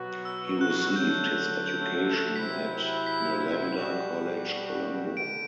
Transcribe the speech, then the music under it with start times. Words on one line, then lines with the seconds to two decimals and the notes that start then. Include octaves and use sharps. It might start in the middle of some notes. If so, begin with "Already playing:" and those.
He received his education at Nalanda College Colombo.
Already playing: B2 F#3 B3 F#4
0.25 E6
0.61 F#6
0.96 D3 F#3 A3 G6
1.66 G6
2.35 C3 F#3 C4 E4 B6
3.07 B6
3.76 B2 G3 D4 F#4 E7
5.17 D3 D7